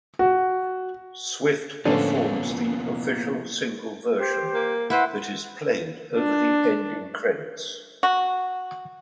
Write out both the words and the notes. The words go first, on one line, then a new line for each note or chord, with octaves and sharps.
Swift performs the official single version that is played over the ending credits.
F#4
A2 D3 F3 A#3 B3 C#4 F4 A5
G4 C5
A#3
E4 B4 C5 F#5
D4
F#4